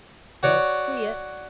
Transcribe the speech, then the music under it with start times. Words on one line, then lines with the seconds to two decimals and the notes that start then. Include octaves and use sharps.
'Don't see it.
0.43 F#4 C#5 D5